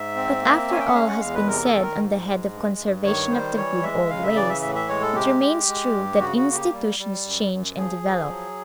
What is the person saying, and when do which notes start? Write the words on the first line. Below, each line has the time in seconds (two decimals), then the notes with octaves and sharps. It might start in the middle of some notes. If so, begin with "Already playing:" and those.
But after all has been said on the head of conservation of the good old ways, it remains true that institutions change and develop.
Already playing: G#2 E5
0.16 C4
0.42 A#3
0.68 C#4 G#5
0.79 G5
0.86 F#5
0.94 G#3 F5
1.07 F#5
1.20 E2 F5
1.34 B4
1.47 C3 A#4
1.65 A4
1.73 D#3
1.82 A#4
1.99 G#2
2.26 G#3
2.52 G2
2.78 G2
3.05 D#3 C#5
3.31 G3 C5
3.57 E3 C#5
3.83 G#3 E5
4.09 C#3 F5
4.23 E5
4.36 E3 D5
4.49 E5
4.62 A2 E5
4.75 E5
4.88 G#3 C#5
5.02 A4
5.14 C3 G4
5.41 G#3
5.67 G#3
5.94 G2
6.20 C#3 F#4
6.37 F#4
6.46 A#3
6.54 G4
6.73 G3
6.99 G3
7.25 F#2
7.51 F#2
7.77 F3 G#4
8.03 F3
8.29 F#3